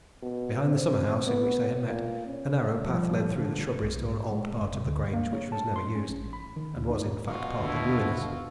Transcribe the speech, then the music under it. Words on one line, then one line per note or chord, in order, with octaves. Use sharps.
Behind the summer-house in which they had met a narrow path led through the shrubberies to an old part of the Grange which was never used, and was, in fact, partly ruinous.
B2
C4
B3
A#2
C#4
D#2 F3 G3
A1 G2 A#2 D3 F3
B1
G#2
G#3
F#1
C3
D2
A#3
C#5
A5
C6
C#4
A1
B5
D#3
D2
D#4
B2 F4 F#4
D#2 D3 E4